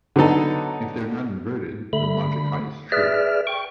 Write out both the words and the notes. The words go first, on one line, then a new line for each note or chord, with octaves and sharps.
If they are not inverted, then logic high is true.
D3 F#3 B3 D#4 A4
D3 A3 B5
G#4 B4 D5 E5 F6
G5 C#6